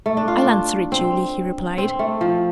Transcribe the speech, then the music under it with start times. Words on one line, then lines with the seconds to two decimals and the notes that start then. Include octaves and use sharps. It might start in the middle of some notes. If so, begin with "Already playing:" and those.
"I'll answer it, Julie," he replied.
0.06 A3
0.17 D4
0.28 F4
0.38 D4
0.92 C4
1.78 C4
1.99 A3
2.21 F3